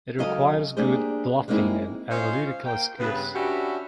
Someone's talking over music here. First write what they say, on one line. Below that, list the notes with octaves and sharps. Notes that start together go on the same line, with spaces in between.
It requires good bluffing and analytical skills.
C#3 F#3 D#4 A4 D#5 F5
A#3 D4 G4 G#4 C5
G#3 A#3 C4 D#4 E4 G#4
C#4 F4 C5 D#5 F5
A#3 G5
G2 C#3 B3 B4
C#4 D4 F#4 G4 E5 B5